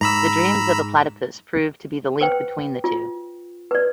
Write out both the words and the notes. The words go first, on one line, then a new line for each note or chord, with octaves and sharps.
The dreams of a platypus prove to be the link between the two.
G#2 A#5 B5 E6
B4 C5 G5
F4
B4 D5